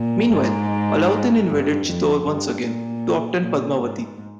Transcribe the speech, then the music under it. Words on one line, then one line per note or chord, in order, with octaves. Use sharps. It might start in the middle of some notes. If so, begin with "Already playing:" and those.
Meanwhile, Alauddin invaded Chittor once again, to obtain Padmavati.
Already playing: A#2
G#2
G2
F2
G2
A#2
A#2
G#2